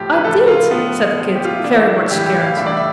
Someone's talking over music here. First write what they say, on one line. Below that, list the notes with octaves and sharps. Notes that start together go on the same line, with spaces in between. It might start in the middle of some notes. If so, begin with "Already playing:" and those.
"I did," said Kit, very much scared.
Already playing: A2 F3 G4
B4
A2 F3 A4
F4
A2 F3 B3
A2 F3
G4
F4
E4
A2 E3 G3 D4
E4
E4
A2 E3 G3 G4
G4
F5
A2 E3 G3 E5
D5
E5